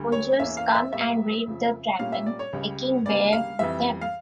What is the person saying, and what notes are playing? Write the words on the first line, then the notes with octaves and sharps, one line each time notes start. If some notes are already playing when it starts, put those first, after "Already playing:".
Soldiers come and raid the tavern, taking Bear with them.
Already playing: D2 D3 G3
C#5
E2 E3 A#3 C#4 E5
F5
E5
A2 G3 A#3 E5
F2 C#3 F3
A#2 G3 A#3 C#4 F5
E5
D5
C#5
C#2 C#3 G3
D2 C#3 G3 A#3 D5
F5
F2 E3 G3 E5
F5